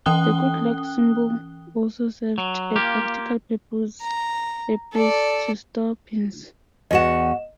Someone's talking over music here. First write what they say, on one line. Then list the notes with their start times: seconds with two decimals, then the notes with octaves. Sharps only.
The good-luck symbol also served a practical purpose-a place to store pins.
0.06 E3 C#4 G5 D#6 F#6 G7
2.38 F#3
2.76 A#3 F4 G4
4.01 A#5
4.93 A4 D5
6.91 E2 F#4 D#5 F#5 E7